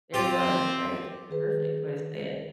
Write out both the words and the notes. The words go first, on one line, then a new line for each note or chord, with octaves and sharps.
There you are, right, perfect way to say it.
C4 F4 G4
D#3 G#4 B4